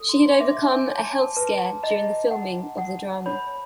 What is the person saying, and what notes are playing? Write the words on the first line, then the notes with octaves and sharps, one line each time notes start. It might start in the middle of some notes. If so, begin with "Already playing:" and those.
She had overcome a health scare during the filming of the drama.
Already playing: A4
C6
E5 D6
G#5
C#5
G#5
A5
B4 A5
D#5 A#5
F#5
F#5
C#5 B5